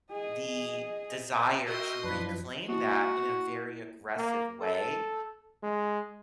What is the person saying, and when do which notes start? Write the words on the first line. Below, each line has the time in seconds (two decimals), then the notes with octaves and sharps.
the desire to reclaim that in a very aggressive way.
0.12 G#4 D#5
1.67 F#4 A#4 D#5 E5 G5 C6
2.04 F#2 F3 D4 E4 B4
2.69 A#3 E4 F#4
4.18 A#3
4.61 A4
5.63 G#3